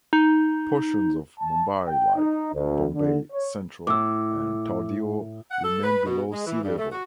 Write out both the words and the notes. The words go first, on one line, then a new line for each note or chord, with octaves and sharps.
Portions of Mumbai like Bombay Central and Tardeo remain below sea level.
D#4
A5
G5
D#4
D2
D3
C#5
A2 D6 E6
F#5
A4
B4
B2
G#3
E3
G2
A3
F#4